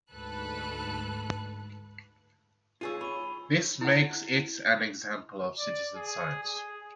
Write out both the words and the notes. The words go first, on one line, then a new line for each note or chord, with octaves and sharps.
This makes it an example of citizen science.
D2 G#2 A4 B4 F#6
F4 G#4 C#5 E6 D#7
C#5 B5 C#6 D#7
E4 F#5
D5
G#4
G#4